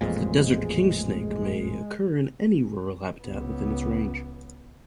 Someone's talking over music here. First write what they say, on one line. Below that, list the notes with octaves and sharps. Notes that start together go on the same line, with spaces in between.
The desert kingsnake may occur in any rural habitat within its range.
A1 F2 A#2 G#3
C#2 B3